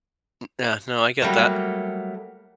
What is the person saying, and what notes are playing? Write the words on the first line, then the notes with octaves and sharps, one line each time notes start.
M uh, no. I get that.
F#3 G3 A3 A#3